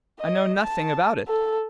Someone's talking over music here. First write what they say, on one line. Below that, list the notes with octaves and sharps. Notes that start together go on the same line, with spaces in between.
"I know nothing about it."
D#5
A5
A4